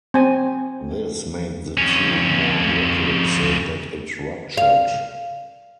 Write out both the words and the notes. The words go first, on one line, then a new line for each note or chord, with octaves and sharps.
This made the tube more brittle so that it ruptured.
C4 G#5
F2 C#4
F5